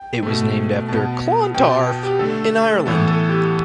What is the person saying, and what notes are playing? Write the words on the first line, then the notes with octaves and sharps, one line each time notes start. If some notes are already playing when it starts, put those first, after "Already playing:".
It was named after Clontarf in Ireland.
Already playing: G5
B2 A3
B2 B3 A5
B2 B3 G5
A5
G5
G4
D3 A3 A4
A2 E3 B3 A4
A4
G4